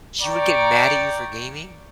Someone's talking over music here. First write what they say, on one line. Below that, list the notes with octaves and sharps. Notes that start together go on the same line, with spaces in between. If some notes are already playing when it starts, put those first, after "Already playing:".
She would get mad at you for gaming?
D5 G5 A#5 C#6